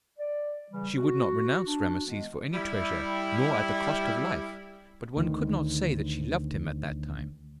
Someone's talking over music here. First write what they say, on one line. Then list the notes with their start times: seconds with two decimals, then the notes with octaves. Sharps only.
She would not renounce Rameses for any treasure, nor at the cost of life, but one could not say that she loved him at that time.
0.18 D5
0.71 C#3 E3 G3
0.96 F#4
1.67 D4
2.06 D#3 G#3 B3
2.53 G3 E4
5.17 D2 D#3